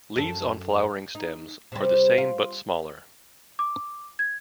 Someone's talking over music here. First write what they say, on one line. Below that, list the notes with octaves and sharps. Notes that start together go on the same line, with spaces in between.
Leaves on flowering stems are the same but smaller.
F#2 A4
D#4
C3 G3
F4
D6
G#6